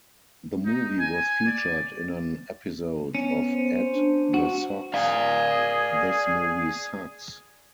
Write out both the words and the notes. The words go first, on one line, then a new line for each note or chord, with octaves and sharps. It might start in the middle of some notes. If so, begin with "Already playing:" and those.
The movie was featured in an episode of Ed the Sock's This Movie Sucks!
D#4
G#5
D5
B3 C#4
C5
D4
F#4
G#4 D5 F5